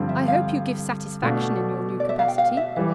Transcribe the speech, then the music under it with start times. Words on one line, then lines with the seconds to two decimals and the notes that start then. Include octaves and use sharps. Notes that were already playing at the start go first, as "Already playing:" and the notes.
'I hope you give satisfaction in your new capacity.
Already playing: G2 D3 F3 C4
0.09 E5
0.28 F5
1.23 B2 A3 D4 F5
2.00 D5
2.09 E5
2.19 F5
2.28 G5
2.38 F5
2.57 E5
2.76 E3 G3 E5